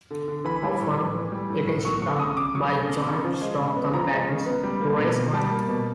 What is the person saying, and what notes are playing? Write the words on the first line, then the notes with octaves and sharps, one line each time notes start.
Often it is done by joint stock companies to raise money.
D3
D3
E3 B5
G3
A2
A2
E3
G3
A2
A2
F#3 C#6
A3 C#6
C#3 D#6
C#3 D6
F#3 C#6
A3
C#3
C#3
F3
G#3
C#3
B3
F3 A#5
G#3
C#3
B3
G3
A#3
B2
B2
G3 A5
A#3
B2